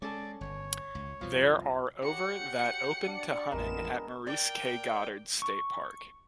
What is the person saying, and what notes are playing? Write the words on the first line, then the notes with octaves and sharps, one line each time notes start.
There are over that open to hunting at Maurice K. Goddard State Park.
G#3 C#4 A4 D5 D6
G1 C#5
C#2
C2 F#2 B2 F3
F#4 G4 C#5 F#5 C#7
G6
D4 D5
A1 F2 G#3 B3 A#4 E7
A#4 D5 G5
C#6